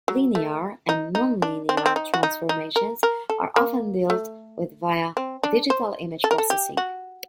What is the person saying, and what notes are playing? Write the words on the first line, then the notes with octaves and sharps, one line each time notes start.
Linear and nonlinear transformations are often dealt with via digital image processing.
F#3
A3
D#4
D#4
D4
C4
D4
C4
D#4
F#4
D#4
D#4
A#4
A#4
A4
A#3
A3
C4
D4
C5
A4
A#4
A4
G4
F#4